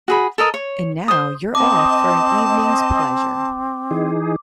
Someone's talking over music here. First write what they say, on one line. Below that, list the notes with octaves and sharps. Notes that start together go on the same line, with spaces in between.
And now you're off for an evening's pleasure.
F#4 G#4 B5
A4 A#4 D#5
C#5
C5 D#6
C4 D#5 A5 D6
E3 D#4 G#4